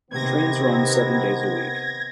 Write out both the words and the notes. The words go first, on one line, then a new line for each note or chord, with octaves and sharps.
Trains run seven days a week.
C3 D#3 B3 C4 G#6 A#6